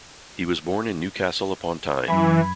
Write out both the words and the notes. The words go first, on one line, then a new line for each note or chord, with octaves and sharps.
He was born in Newcastle-Upon-Tyne.
F#2 E3 B5 G#6